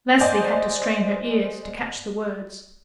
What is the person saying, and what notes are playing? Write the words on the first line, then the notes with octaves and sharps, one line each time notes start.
Leslie had to strain her ears to catch the words.
C5 D5 D#5 F#5 G#5 G6